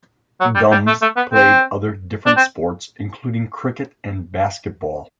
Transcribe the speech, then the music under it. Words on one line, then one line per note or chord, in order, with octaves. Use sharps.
Gumbs played other different sports, including cricket and basketball.
F#3
G3
G3
A3
A3
B3
C4
D4
C4